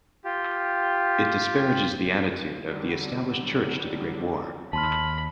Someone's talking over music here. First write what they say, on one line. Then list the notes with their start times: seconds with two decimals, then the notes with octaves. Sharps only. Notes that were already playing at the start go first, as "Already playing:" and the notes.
It disparages the attitude of the established church to the Great War.
0.24 F4 G4
2.69 D3 F#3 G3
4.73 D#2 A5 B5 C6 F6